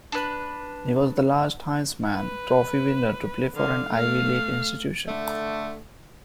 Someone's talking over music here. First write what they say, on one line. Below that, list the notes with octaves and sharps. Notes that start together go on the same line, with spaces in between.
He was the last Heisman Trophy winner to play for an Ivy League institution.
D4 B4
B4
D3 F5
A3 F5
D3 A3